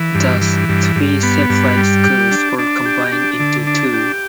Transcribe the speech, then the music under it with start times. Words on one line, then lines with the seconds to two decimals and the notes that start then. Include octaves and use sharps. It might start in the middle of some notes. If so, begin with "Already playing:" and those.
Thus, three separate schools were combined into two.
Already playing: E3
0.15 G2
0.41 E3
0.69 G2
0.96 G2
1.23 B3
1.50 G2
1.77 G3
2.04 G4
2.31 D4
2.59 D4
2.86 G4
3.12 D4
3.40 D3
3.67 D4
3.93 G4